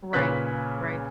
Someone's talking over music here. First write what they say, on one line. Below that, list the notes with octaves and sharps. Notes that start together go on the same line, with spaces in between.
Right. Right.
A#2 C#3 C#4 B4 F#6 B6